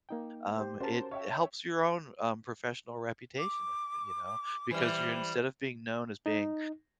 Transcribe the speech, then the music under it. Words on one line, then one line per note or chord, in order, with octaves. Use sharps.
um, it helps your own, um, professional reputation if you know, because you're instead of being known as being
A#3 D#4 G5
G4 C5
C#4 F#4 A#4 C5 A5
C#5 E5 F5 G5
D6
E3 G3 C5
D#4